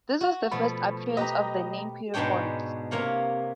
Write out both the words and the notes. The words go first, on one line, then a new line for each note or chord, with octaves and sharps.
This was the first appearance of the name Pierrefonds.
F#4
B2 F3 A3 B5
G4 B4 D#5 A#5
G#2 B2 B3 D4 C#5 G5
C3 A#3 C#5 F5